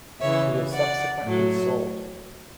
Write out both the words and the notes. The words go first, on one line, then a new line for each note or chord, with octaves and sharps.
She was subsequently sold.
C#3 E3 C#5 E5
D5 F#5
A2 F#3